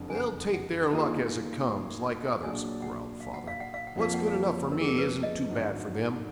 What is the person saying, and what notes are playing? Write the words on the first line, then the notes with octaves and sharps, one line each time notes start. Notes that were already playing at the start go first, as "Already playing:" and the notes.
'They'll take their luck as it comes, like others,' growled father; 'what's good enough for me isn't too bad for them.
Already playing: F#1 F2 D3
G#5
F#5
F#5
D#3 A#3 F4 G#4 D#5
A#2 F#3 D4 G#4 D5 G#5
F#5
F5
F#5
F5
F#5
F5
F#5
F2 F3 A#3 F5
F#5
F5
A#4
G#4
A#4
B4
D#5
G#1 G#2 F#3 D4